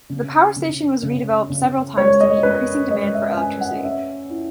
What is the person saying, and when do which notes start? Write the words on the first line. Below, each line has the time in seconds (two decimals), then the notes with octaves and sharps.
The power station was redeveloped several times to meet increasing demand for electricity.
0.10 C#3
0.56 C#3
1.03 C#3
1.50 C#3
1.97 G#3 C#5
2.21 D#5
2.43 C#4 B4
2.90 G#3 D#5
3.14 E5
3.37 C#4 G#5
3.61 F#5
3.84 C#4 E5
4.30 E4